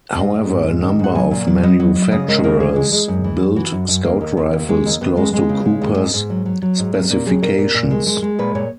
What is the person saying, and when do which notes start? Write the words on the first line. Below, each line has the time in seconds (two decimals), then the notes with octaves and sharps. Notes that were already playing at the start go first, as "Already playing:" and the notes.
However, a number of manufacturers build scout rifles close to Cooper's specifications.
0.19 G#2 D#5
0.35 G#2
0.51 G#2
0.67 G#2
0.83 D#3
0.99 G#2 F#5
1.15 F#3 G#5
1.31 A#2
1.47 F#3
1.63 F#3 D#5
1.80 F#3
1.95 F#3
2.02 E5
2.11 C#3 D#5
2.28 G#3 A#4
2.44 C#3 A#4
2.60 E3 G#4
2.76 G#3
2.92 G#3
3.08 F#2
3.24 E3
3.40 F#2
3.56 E3 F#4
3.72 F#2
3.89 F#2
4.05 D#2 A#3
4.21 D#2
4.37 D#2
4.53 D#2
4.69 G#3
4.85 D#2
5.01 D#2 B3
5.17 G#3
5.33 G#3
5.49 C#3
5.65 G#3
5.81 D#2
5.97 G#2
6.14 G#2
6.30 F#3
6.46 F#3
6.62 F#3
6.78 G#2
6.94 F#3 C#4
7.10 A#2 A#3
7.26 F#3 G#4
7.42 A#2 A#4
7.58 A#2
7.74 A#2
7.91 G#3
8.07 G#3
8.22 G#3
8.39 A#2 B4
8.55 A#2 C#5